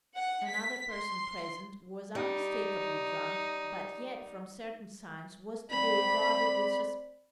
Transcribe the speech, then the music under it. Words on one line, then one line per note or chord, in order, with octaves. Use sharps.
Another person present was unmistakably drunk, but yet, from certain signs, was to be regarded with suspicion.
F#5
B6
C6
G3 D#4
C4 D5 B5